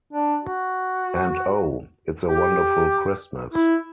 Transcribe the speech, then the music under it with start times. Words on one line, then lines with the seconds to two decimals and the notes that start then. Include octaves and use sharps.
And oh, it’s a wonderful Christmas.
0.13 D4
0.43 F#4
2.29 G4
3.54 E4